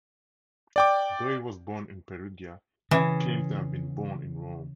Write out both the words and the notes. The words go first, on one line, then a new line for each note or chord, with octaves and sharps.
Though he was born in Perugia he claimed to have been born in Rome.
D5 G5 D6
C#3 E3